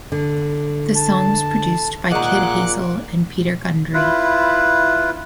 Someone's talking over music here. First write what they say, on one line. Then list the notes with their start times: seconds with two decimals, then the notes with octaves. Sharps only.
The song was produced by Kid Hazel and Peter Gundry.
0.12 D3
0.96 A5
2.11 A#2 D#3 G#3 F#5 D6 F#6
3.94 E4 F4 B4